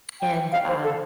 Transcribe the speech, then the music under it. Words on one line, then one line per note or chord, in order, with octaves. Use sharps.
and, um
G5
F5
C5
A4